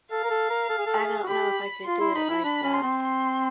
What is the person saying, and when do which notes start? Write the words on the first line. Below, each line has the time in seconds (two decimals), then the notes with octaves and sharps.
I don't know if I could do it like that.
0.11 A4 F5
0.24 A#4
0.31 A4
0.50 A#4
0.69 A4
0.78 G#4
0.87 A4
0.99 G#4
1.23 F#4
1.28 G4 B5
1.86 F4 C6
2.00 E4
2.15 D#4 B5
2.30 E4
2.44 D4 B5
2.63 C#4
2.73 C6
2.83 C4
3.02 C6